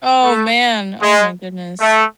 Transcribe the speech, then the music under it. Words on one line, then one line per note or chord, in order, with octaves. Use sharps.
Oh man, oh my goodness.
A3
G#3
A3